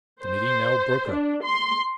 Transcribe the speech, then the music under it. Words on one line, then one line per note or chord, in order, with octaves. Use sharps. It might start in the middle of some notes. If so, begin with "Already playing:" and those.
The meeting now broke up.
C5
D4
C6